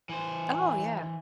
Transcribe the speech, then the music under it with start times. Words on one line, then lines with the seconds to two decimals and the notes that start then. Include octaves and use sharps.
Oh, yeah.
0.09 E3 C5